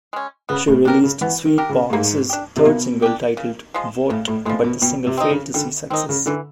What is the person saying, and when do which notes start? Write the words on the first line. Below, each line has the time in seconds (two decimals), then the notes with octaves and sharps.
She released Sweetbox's third single titled "Wot", but the single failed to see success.
0.13 G#3 C#4
0.49 C#3 B3
0.68 A2
0.85 B2 D4 G4 A#4
1.04 C#3
1.21 E3 B3
1.45 D#3
1.58 D4 G4 A#4
1.69 C#3
1.90 A2
1.93 G#2 A#3
2.30 D4 G4
2.56 C3
2.65 B2 A#3
3.02 D4 G4
3.37 C#3
3.74 F3 G#3
4.10 A2 C#3
4.28 A2
4.46 A2 F3 G#3
4.64 B2
4.82 B2 G3
5.07 C3
5.18 C4 D#4
5.31 C#3
5.54 D3 G3
5.90 D#3 C4 D#4
6.09 C#3
6.26 D3 E3